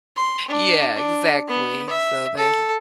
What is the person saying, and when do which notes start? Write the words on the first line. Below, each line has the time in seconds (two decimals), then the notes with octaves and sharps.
Yeah, exactly, so there's
0.16 C6
0.48 D4
0.95 D4
1.48 B3
1.89 E5
2.37 A4